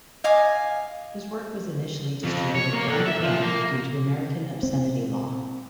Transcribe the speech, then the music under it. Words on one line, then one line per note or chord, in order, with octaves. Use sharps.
His work was initially distributed underground due to American obscenity law.
D#5 F5 G#5 D6
F2
C#5
A#3
D3
E5
F3
A#3
C4